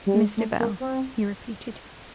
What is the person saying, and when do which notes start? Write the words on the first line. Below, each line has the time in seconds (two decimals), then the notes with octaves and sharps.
'Mr. Bell,' he repeated.
0.06 G3
0.16 G#3
0.37 A3
0.59 A#3
0.80 C4